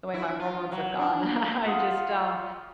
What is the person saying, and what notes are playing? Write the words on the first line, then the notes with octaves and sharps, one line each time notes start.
the way my hormones have gone, I I just, um,
E4
F4
F#3
D4
F4 F#5 D#6